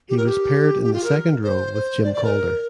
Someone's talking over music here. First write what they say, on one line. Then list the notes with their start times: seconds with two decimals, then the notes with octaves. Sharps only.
He was paired in the second row with Jim Calder.
0.09 G4
0.17 A#4
0.26 G4
0.84 G4
0.93 F4
1.04 A#4
1.44 C5
1.74 C5
2.04 D5
2.14 D5
2.24 A#4